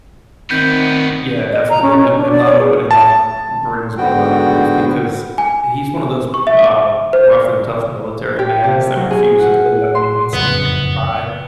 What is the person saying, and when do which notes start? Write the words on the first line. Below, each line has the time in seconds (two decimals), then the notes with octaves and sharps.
Yeah, definitely, him him not opening up brings me a lotta grief because he's one of those, uh, rough and tough military mans that refuses to let anyone see him cry.
0.51 D2 D#3 B3 C4 G6
1.52 D#5
1.69 A#5
1.82 C#4
1.97 C#5
2.16 D4
2.31 D5
2.45 C#5
2.58 G#4
2.91 A5
3.97 G#2 D3 B3 F#4 G5
5.38 G#5
6.34 C#6
6.47 E5
7.13 C5
8.39 G4
8.64 C3
8.96 F#3
9.11 G#4
9.39 F#5
9.95 C6
10.33 F#1 F2 A2 B3